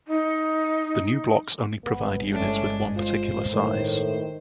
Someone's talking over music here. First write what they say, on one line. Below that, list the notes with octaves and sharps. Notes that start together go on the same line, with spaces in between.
The new blocks only provide units with one particular size.
D#4
G1 G#3 B3
A2 C#4 D4
F4 C5
A2 D#3